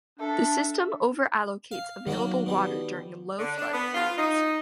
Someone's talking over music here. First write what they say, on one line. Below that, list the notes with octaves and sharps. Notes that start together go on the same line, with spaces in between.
This system over-allocates available water during low flow periods.
D4 A4 E5
F5
D#3 F#3 A#3 F#4
B2 G3
D3
D4
B3
F4
D#4